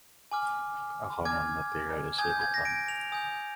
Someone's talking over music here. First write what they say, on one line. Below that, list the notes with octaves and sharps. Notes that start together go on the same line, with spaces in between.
A common material is silicon.
G#5 D6 F6
G#5 D6 F6 G#6
G#5 D#6 G6 G#6
G6
G#6
A#6
D7
F7
G#5 D#6 G6